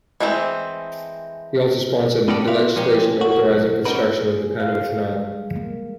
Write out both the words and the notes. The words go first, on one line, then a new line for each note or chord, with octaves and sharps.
He also sponsored the legislation authorizing construction of the Panama Canal.
E3 G#3 A3 C4
B3 C#4 F#4 G4 A4 D5
B2 C4 F#4 D5 E5 F5
A#2 F3 G#3 C#4 G4
F#4
B1
A#3 C#4 D#4 F#4 A#4 B4
G#4
F5
G#3
G3
A#3